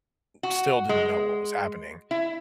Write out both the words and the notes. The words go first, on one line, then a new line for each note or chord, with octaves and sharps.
still didn't know what was happening.
F#4
G#3
E4